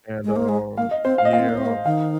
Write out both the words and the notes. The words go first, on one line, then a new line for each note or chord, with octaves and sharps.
and, um, yeah,
G#3
A#3
G#3
A#3 F5
D#5
C4 C5
F5
D#5
A#3 F5
C4
A#3
C4
A#3
D#3 F5